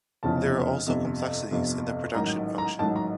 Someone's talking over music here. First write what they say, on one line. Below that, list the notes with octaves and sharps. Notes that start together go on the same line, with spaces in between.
There are also complexities in the production function.
F1 E2 C#3 F3 A5
G1 F2 C3
G1 F2 C3
A1 G#2 D#3 F#3 A#5
A#5
A1 G#2 D#3 F#3 A5
A#5